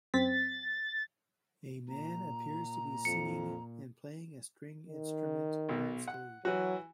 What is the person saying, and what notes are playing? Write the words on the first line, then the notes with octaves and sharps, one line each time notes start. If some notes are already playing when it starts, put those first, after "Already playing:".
A man appears to be singing and playing a string instrument on stage.
F#2 C4 A6 B6
A#2 A#5
F2 C#7
D#3
B1 B2
F#5
E3 F#3 F#4